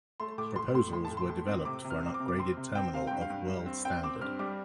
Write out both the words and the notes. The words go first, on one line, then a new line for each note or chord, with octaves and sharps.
Proposals were developed for an upgraded terminal of world standard.
A3 C6
A2 D6
A2 C6
A2 C6
A2 C6
A5
A2
C6
A2
C4
C3 D6
C3
F6
C4
D6
C3
D6
C4 C6
C3
C4 G5
C3 F5
G2 G5
F5
G2
G2
C4
C4 G5
C4 D6
G2 F6
G3 D6